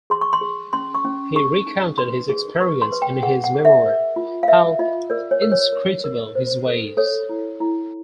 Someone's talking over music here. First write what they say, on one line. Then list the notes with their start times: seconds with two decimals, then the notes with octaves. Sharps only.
He recounted his experience in his memoir, How Inscrutable His Ways!
0.10 G#4 C6
0.21 C#6
0.33 C6
0.41 G#4
0.73 C#4 C6
0.95 C#6
1.05 C#4
1.35 G#4 C#6
1.66 D#4
1.98 B4 C6
2.29 G#4
2.60 B4 C#6
2.82 C6
2.92 B4
3.02 G5
3.23 G#4 F#5
3.44 F#5
3.55 G#4
3.65 E5
3.86 A#4
4.16 F4
4.43 F5
4.48 A#4 E5
4.79 F4 D#5
5.10 A#4 D5
5.31 C#5
5.42 A#4
5.52 C#5
5.73 A#4
6.04 A#4
6.35 C5
6.66 A4
6.97 A4 C#5
7.29 E4
7.60 E4